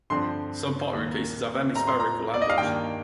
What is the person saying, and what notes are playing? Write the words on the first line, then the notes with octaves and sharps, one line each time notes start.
Some pottery pieces have hemispherical handles.
G2 D3 F3 C4 C6
D#2 D#3 A#3
A2 G3 C4 A#5
C6
A#5
D5
D#5
F5
G2 D#3 G3 A#3 G5